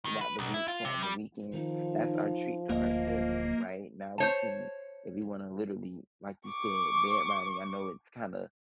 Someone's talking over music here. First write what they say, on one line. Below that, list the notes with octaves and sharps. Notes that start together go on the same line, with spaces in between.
throughout the week, so on the weekend that's our treat to ourselves, right? Now we can if we wanna literally, like, you said, bed riding. I know it's kinda
D#3
B4
B1
E4
F4
C3
G3
D#3 F3 D#4
D1 A#3 D#5
C5 C#5 A5
C#6 D6